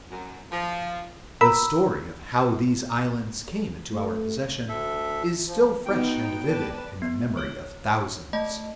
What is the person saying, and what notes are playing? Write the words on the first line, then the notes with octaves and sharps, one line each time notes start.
The story of how these islands came into our possession is still fresh and vivid in the memory of thousands.
F#2
F3
A#4 B5 E6
A3
D2 A4 E5
F3
B3 D#4 F#4 G5
B4 D5 A5
B3
C#5 F6
A3 D#5 A5